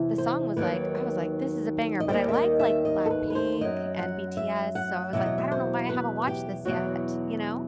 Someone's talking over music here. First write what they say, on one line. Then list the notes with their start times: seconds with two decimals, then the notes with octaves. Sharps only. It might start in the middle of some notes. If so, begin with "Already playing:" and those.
the song was, like I was like, "This is a banger." But I like like Blackpink and BTS, so I was like, "I don't know why I haven't watched this yet," you know?
Already playing: E2 C3 E3
0.18 C5
0.57 D#2 D#3 F#3 B4
2.00 D#5
2.09 D#2 D#3 G3 C5
2.29 E5
2.34 D#5
2.60 E5
2.85 D#5
3.06 A4
3.10 B4
3.30 B4
3.35 C5
3.61 F#2 F#3 D#5
3.99 F#5
4.37 E5
4.75 F#5
5.13 E2 B2 F#3 E5
5.26 D#5
5.38 E5
5.52 C5
5.89 B4
6.27 G4
6.65 E2 B2 F#3 F#4